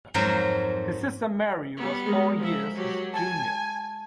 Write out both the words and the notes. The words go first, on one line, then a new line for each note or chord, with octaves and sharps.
His sister Mary was four years his junior.
F2 G#2 F#3 A#4 C5
G3 B3
G#3 G#4 A#4
F3 E5
F#3 G4
G#5 A5